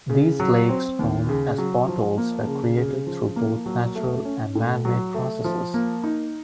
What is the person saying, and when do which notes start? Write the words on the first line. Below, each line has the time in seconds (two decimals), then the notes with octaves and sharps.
These lakes, known as "potholes" were created through both natural and man made processes.
0.09 C#3
0.40 F#3
0.69 C4
0.99 D#2
1.29 C#3
1.58 F#3
1.88 F3
2.18 A#3
2.47 C#3
2.77 C#3
3.07 F3
3.36 A#3
3.66 F#3
3.95 A3
4.25 C#4
4.55 A2
4.85 F#3
5.14 A3
5.44 F3
5.74 A#3
6.04 D#4